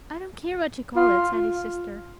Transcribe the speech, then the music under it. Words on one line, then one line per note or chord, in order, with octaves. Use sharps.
"I don't care what you call it," said his sister.
F4